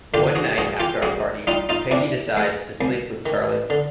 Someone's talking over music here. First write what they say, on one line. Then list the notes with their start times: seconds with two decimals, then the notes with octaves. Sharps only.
One night after a party, Peggy decides to sleep with Charlie.
0.14 D3 F4 G4
0.35 F#4 G#4
0.58 G2 F#4 G#4
0.80 F4 G4
1.02 G2 F#4 G#4
1.47 G3 D#4 F4
1.69 D#4 F4
1.91 C3 D4 E4
2.37 G#3
2.81 C2
3.26 D#3
3.70 D3